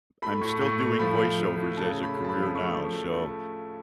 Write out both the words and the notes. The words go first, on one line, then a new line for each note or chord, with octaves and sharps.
I'm still doing voiceovers as a career now. So,
A3 B5
A2 C#6
A2 C#6
A3 C#6
F3 B5
F3
F3
A2
C#3 A5
A3
B5
C#3
A5
B5
F3
B5
A3 C#6
F3
A3
A3